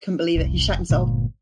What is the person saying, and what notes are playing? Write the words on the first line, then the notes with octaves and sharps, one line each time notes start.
I couldn't believe it, he shat himself!
F1 C2
F1
G1 A#2 D3 G#3